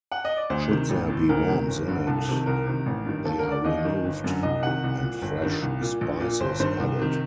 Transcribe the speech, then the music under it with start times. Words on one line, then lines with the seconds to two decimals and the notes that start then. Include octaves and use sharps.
Should there be worms in it, they are removed and fresh spices added.
0.12 F#5
0.25 D#5
0.37 D5
0.50 D2 C5
0.69 C3 D#3
0.89 A1
1.10 A2
1.29 D2 A#4
1.48 C3 D#3
1.68 G1
1.88 G2 D3
2.07 C2 A4
2.28 C3 D#3
2.46 C2 A#4
2.66 C3 D#3
2.86 A1
3.05 G2 D#3
3.25 D#2 A4
3.39 A#4
3.45 D3
3.51 D5
3.64 D#2 D#5
3.85 D#3
4.05 G1
4.24 F#2 D3
4.43 C2 D#5
4.63 C3 D#3 F#5
4.83 C2
5.03 A#2
5.22 G1
5.42 G2 D#3
5.62 C2
5.81 A#2
6.01 A#1
6.20 A#2
6.40 G1 C5
6.60 G2 D#3 C5
6.80 C2
6.99 C3 D#3